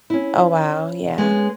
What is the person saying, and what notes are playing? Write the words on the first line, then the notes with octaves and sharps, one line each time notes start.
Oh, wow, yeah.
C#4 E4
G#3 B3 C#4